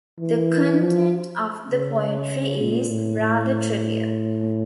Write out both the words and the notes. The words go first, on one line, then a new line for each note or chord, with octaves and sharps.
The content of the poetry is rather trivial.
E3
F3
C#3
A#2
A2
A2